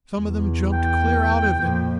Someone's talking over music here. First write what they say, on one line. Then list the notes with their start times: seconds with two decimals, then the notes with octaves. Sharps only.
Some of them jumped clear out of it.
0.15 E2
0.73 G5
1.59 F2 A#2